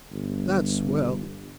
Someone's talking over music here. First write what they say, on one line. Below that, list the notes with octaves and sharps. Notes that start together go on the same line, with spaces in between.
That's well.
G1